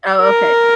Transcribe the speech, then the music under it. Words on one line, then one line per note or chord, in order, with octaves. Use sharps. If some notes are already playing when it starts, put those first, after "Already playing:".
Oh, okay.
A#4